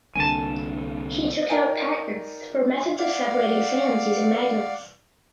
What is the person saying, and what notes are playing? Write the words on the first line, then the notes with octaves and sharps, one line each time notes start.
He took out patents for methods of separating sands using magnets.
C2 D3 A#3 G#5 A5
D#4 A#4 D5 G5 G#5
D5 F5 F#5